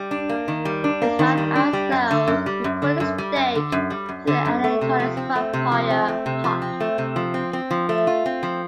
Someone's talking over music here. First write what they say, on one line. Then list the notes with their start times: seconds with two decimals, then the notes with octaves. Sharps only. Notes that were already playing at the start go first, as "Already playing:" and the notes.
It's not as though we put a stake through Anathallo's vampire heart.
Already playing: G3
0.11 D4
0.29 A#3
0.48 D#3
0.65 G3
0.84 D4
1.02 A#3
1.19 D#3
1.38 G3
1.56 D4
1.73 G3
1.92 F#2
2.11 D3
2.28 F#2
2.46 G3
2.64 F#2
2.82 D3
3.00 F#2
3.18 G3
3.36 F#2
3.55 D3
3.72 F#2
3.90 G3
4.09 F#2
4.27 D3
4.45 F#2
4.64 A3
4.81 C3
5.00 F3
5.17 C4
5.36 A3
5.53 C3
5.72 F3
5.90 C4
6.08 A3
6.26 C3
6.44 F3
6.62 C4
6.80 A3
6.98 C3
7.16 F3
7.34 C4
7.53 C4
7.71 F3
7.89 A3
8.07 F4
8.26 C4
8.43 F3